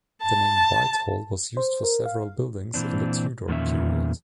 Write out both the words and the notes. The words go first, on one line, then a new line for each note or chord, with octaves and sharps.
The name Whitehall was used for several buildings in the Tudor period.
A5
C5
A#4
F5
A#2 E3 C4 D4
E2 A#2 D#3 F3 C#4 E5